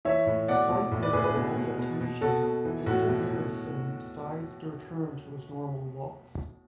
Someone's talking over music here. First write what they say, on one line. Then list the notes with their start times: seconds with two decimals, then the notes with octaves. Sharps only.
Frightened by all the attention, Mr. Garrison decides to return to his normal looks.
0.05 E3 C#5 E5
0.26 A2
0.48 B2 D5 F#5
0.69 B2
0.91 A2
1.03 B4 D5
1.13 A2 G#4 B4
1.24 G#4 B4
1.35 B2
1.56 B2
1.78 B2
2.00 B2
2.21 B2 F#4 A4
2.43 B2
2.65 E3
2.86 A2 F#4
3.08 B2
3.30 B2